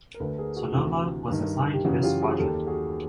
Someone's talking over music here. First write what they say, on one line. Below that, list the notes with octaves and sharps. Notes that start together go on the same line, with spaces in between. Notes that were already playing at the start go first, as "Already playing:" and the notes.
"Sonoma" was assigned to this squadron.
A#4
D2 D3 A4 B4
G#4 A#4
F#4 G#4
D2 C3 E3 F#4
G2 D#3
G4
F#2 C#3 E3 F#4
F4 G4
F#4 G#4
D#2 D#3 G4 A4
F#4 G#4